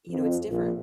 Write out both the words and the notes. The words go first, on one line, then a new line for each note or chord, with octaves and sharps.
you know, it's different
F2
A#1